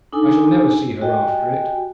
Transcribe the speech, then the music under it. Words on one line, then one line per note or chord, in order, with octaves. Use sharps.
I shall never see her after it.
D4 D#4 A4 G#5 E6
F#4 G4 D#5 G5 G#5